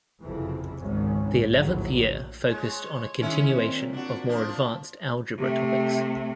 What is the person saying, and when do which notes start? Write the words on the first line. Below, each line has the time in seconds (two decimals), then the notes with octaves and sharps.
The eleventh year focused on a continuation of more advanced algebra topics.
0.21 F#1 F2 C3 E3
0.82 G#1 C#2 G#2 D#3 C#4
1.54 A#1 D#2 A2 D3 F#3
2.49 G#3 C#5
3.21 D#3 G#3 C#4 E4
3.58 A#2 C4
3.93 D4 F#4
4.29 F3 D4
5.38 C3 A3 G4